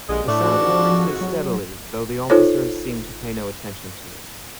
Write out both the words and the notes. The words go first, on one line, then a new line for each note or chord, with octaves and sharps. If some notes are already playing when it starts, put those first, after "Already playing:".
The sound increases steadily, though the officers seem to pay no attention to it.
A#1 D3 G3 G#3
A2 A3 D4
F2 G#2 F#4
F3
F#3
D#4 F4 A4 C5 C#5